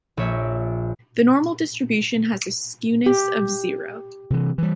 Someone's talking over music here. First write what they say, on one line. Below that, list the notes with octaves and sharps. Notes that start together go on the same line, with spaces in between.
The normal distribution has a skewness of zero.
A#1 A#3 C#5 E5
G4
C3 E3
E3 G3